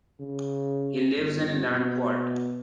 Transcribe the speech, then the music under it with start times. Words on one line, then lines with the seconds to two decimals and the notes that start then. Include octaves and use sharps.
He lives in Landquart.
0.20 C#3
1.16 G1
1.67 B2